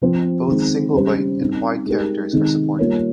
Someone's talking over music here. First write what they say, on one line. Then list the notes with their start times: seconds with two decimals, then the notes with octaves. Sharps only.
Both single-byte, and wide characters are supported.
0.02 F3 C4 F4 C5
0.47 D#3 G#3 C4 D#4
0.93 C#3 G3 C#4 G4 C5
1.41 G3 C4 D#4
1.86 G#3 D#4 G4 A#4
2.33 C3 D#3 G#3 D#4
2.79 G3 A#3 F4 A#4 C#5